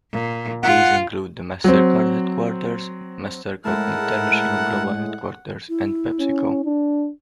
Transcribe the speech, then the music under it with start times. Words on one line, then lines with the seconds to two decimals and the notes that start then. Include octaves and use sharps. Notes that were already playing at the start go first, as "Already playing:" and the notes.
These include the MasterCard headquarters, MasterCard International Global Headquarters, and PepsiCo.
0.11 A#2
0.63 F4 F#5
1.64 F#3 C4
3.65 A2 G#3 E4 A#4 F#5 A5
5.69 E4
6.19 C#4
6.65 D4